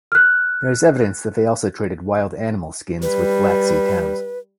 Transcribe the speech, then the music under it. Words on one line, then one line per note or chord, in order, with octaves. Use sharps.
There is evidence they also traded wild animal skins with Black Sea towns.
F6 F#6
G3 B4